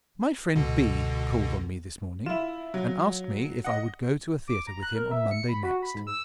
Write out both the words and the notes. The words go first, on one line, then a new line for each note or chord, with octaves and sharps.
My friend B. called on me this morning and asked me if I would go to a theatre with him on Monday next.
C#2 B2 D3
E4 F4 E7
F#3
D#5 F#5
D6
A#5
F#6
A#4
E5
C#7
B5
F#4
B5
G#2
E6